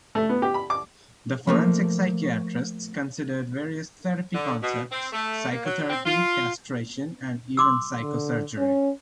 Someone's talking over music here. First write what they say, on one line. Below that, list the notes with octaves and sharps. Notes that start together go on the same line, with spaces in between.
The forensic psychiatrists considered various therapy concepts: psychotherapy, castration and even psychosurgery.
A3
B3
G4
B5
D6
F3 A3 A#3
D3
B2
C4
A3
A#3
F#3
C4
F4
C6 D6 E6
D3
C#4